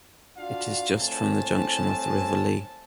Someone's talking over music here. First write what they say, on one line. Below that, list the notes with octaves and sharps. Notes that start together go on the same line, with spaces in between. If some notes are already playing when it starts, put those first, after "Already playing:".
It is just from the junction with the River Lee.
D4 F4 F#4 F5
C2 A2 C4 G#5 A5